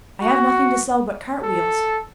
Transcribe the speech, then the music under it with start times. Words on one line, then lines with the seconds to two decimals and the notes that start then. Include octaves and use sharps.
I have nothing to sell but cart-wheels.
0.21 F#4
1.43 A4